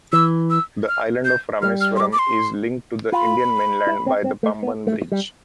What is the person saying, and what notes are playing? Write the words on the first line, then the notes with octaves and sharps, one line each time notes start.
The island of Rameswaram is linked to the Indian mainland by the Pamban Bridge.
E3 E6
E6
F6
G6
G3 F6
F6
C6
D6
D6
C6
F4 B5
E4
C4
C4
A3
B3
A3
G3